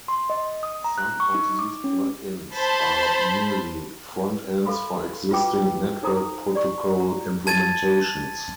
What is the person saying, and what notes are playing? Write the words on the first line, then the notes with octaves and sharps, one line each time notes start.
Some of these plugins are merely front ends for existing network protocol implementations.
C6
D#5
D#6
A#5
F#6
C#6
D#4
D6
C#4
C5 A5 B5
A4 F5 B5 C6
F4 F#4 B4 G5 D6
D#4 A4 C5 A#5 D#6
D5 C#6
A#5
A5 G#6 A6 D#7